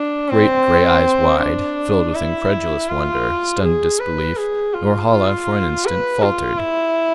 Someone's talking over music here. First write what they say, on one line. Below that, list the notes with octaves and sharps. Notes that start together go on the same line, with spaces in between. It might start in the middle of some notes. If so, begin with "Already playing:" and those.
Great gray eyes wide, filled with incredulous wonder, stunned disbelief, Norhala for an instant faltered.
Already playing: D4
C4
D4
E4
F4
G#4
B4
G#4
F4
F4
B4
F4
E4